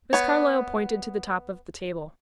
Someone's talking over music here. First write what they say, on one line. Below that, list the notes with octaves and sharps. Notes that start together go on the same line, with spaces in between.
Miss Carlyle pointed to the top of the table.
B3 C#5